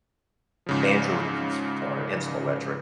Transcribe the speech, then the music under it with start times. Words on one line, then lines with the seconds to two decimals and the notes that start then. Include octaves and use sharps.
banjo and acoustic guitar, and some electric.
0.66 G#2 C#3 F3